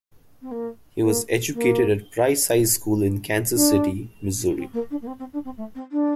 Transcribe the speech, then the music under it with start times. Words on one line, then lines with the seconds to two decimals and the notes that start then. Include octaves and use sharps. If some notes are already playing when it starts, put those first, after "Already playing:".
He was educated at Price High School in Kansas City, Missouri.
0.42 C4
0.51 A#3
1.01 A#3
1.53 A#3
3.55 D4
4.57 C4
4.73 A#3
4.90 D4
5.02 A#3
5.07 C4
5.19 C4
5.33 D4
5.45 C4
5.57 A3
5.75 C4
5.92 D4